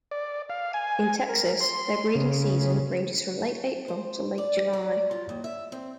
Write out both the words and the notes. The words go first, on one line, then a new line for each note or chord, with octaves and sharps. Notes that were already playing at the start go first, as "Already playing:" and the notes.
In Texas, their breeding season ranges from late April to late July.
D5
F5
G#5
A#4
C6
C#3
C5
D5
D5
F4
D#2
E5
C4